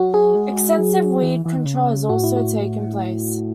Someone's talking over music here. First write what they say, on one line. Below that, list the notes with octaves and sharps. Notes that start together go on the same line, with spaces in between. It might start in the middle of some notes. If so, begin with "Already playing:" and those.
Extensive weed control has also taken place.
Already playing: F#3 F#4
G#4
G#3
F#3
E3
E3
D#3
C#3
A2 F#4
E4
F#4